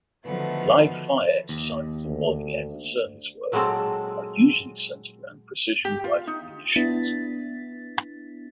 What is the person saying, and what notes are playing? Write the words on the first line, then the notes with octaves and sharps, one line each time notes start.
Live fire exercises involving air-to-surface work are usually centered around precision-guided munitions.
D3 D#3 F3 F#3 A3 B3
D#2
D2
A#2 F#3 G#3 A#3 C4 A4
G4
F4
D#4
B3 D4 E4 A6 B6